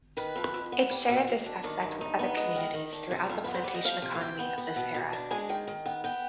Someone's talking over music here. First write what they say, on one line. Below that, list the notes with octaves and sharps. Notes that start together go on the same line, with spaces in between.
It shared this aspect with other communities throughout the plantation economy of this era.
D#3 B4
F2
F2
B3
G3
B2
B2
D4
D#3 D5
G2
D#4
B3
G#3 D#5
D#3
D#3
D4
C3
F2
B3 B4
C5
G3 D5
D#5
F3 F5
C3
F5
C3 G5
B3
B3
B2
B2
D4
G#3 G#5
D#3 G5
D#3
B3 G5
B3 G5